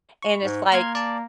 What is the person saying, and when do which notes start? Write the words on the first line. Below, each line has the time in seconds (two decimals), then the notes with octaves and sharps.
and it's, like,
0.23 C#6
0.42 G#2
0.72 A#3 C6 F6 G#6
0.95 D5 A5